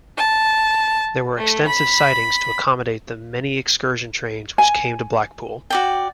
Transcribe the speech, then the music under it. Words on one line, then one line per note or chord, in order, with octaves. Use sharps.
There were extensive sidings to accommodate the many excursion trains which came to Blackpool.
A5
A3
B5
G#5
F#4 D5 G5